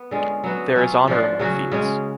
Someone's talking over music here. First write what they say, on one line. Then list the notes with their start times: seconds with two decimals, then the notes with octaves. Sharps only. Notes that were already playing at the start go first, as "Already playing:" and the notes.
There is honor among thieves.
Already playing: B3
0.11 D3 G#3 C#4 F4
0.44 F#3 B3 F#4
0.76 F#3 C#4 F4
1.08 F3 A3 D4 F4
1.39 C#3 F#3 C#4 F#4
1.72 C#3 G#3 C#4